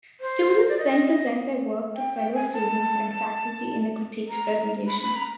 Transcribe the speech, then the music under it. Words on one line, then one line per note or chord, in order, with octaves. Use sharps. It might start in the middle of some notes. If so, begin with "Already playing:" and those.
Students then present their work to fellow-students and faculty in a critiqued presentation.
C5
D5
D#5
G5
G5
G#5
A5
A#5
B5
B5
A#5